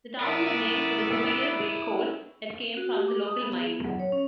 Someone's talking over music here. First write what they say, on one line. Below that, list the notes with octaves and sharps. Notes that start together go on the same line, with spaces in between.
The town was named for the superior-grade coal that came from the local mines.
B3 E4 A#4 D5 E5
F#4
G4
D6
D#6
B3
G#4
B3
F#3
C#5
C#4